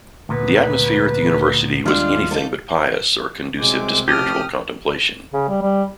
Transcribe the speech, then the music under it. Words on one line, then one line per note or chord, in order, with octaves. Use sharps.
The atmosphere at the university was anything but pious or conducive to spiritual contemplation.
D2 A#2 B3 B4
D#2 D#3 G3 G#3 D4 F4
D#4 F4 A4
C2 C3 F#3 G#3 D6
A1 F3 G4 A5 D#6 F6
C#3
G3
G3